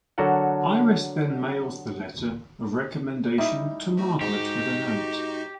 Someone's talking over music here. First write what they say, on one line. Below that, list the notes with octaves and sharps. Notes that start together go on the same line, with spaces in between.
Iris then mails the letter of recommendation to Margaret with a note.
D3 F#3 F#4 A4 A#4 F#5
G3 D#4 E4 E5
F3 A3 F#4
G#2 D#4 F#4 G4 D#5